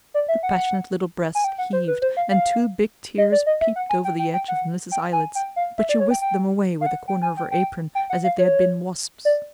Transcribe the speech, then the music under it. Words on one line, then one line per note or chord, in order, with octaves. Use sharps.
The passionate little breast heaved, and two big tears peeped over the edge of Mliss's eyelids, but she whisked them away with the corner of her apron as if they had been wasps.
D5
E5
F#5
G#5
G5
F#5
C5
B4
C5
F5
F5
D#5
D5
D#5
E5
F#5
G#5
G5
G5
G5
F#5
G5
G#5
G5
F5
E5
D5
C#5
G5
G5
F5
F#5
G5
G#5
G5
G5
G5
F#5
F5
C#5
D5